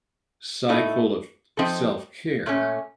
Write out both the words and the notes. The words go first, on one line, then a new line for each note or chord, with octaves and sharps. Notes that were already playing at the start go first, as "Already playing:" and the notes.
cycle of self-care
A2 A3 D#4 A4
F3 C4 D#4 A4
A#2 A3 C#4